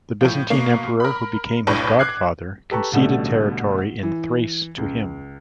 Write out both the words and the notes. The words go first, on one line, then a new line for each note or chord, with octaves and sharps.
The Byzantine Emperor who became his godfather conceded territory in Thrace to him.
A2 F3
B2 A#3
A#4 B5
F1 B1 A2 D4 B4 C#6
D6 F#6 G#6 C7
G4 A4 B4 A5 A#5 C#6
A1 B2 D3 G3 A3
E3
C#2